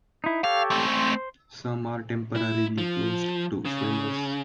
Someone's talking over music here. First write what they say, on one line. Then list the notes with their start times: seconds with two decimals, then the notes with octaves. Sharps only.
Some are temporarily closed to swimmers.
0.24 D#4 E4
0.44 G4 A4 C#5 F5
0.71 A3 C4
0.87 C5 C6
2.36 E4
2.78 F3
3.65 C#3